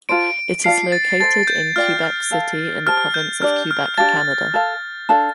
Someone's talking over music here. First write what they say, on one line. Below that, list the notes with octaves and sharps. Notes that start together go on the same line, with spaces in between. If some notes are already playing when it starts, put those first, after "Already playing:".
It is located in Quebec City in the province of Quebec, Canada.
F4 A4 C5 D7
F4 D5 F5 A5 C7
A6
A4 C5 A5 A6
G6
F4 D5 G5 F6
F6
A4 F5 A5
G4 C5 A5 F6
G6
D4 G4 D5 F6
F6
D4 G4 F5 A5 A6
A4 F5 A5
D4 A4 F5 A5